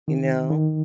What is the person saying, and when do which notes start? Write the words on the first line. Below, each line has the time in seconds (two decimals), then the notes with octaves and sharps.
You know?
0.08 D#3
0.50 D#3